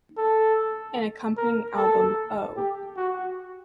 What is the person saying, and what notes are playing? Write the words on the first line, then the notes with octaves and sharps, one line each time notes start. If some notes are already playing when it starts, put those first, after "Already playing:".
An accompanying album, Oh!
A4
A#4
A4
G4
F#4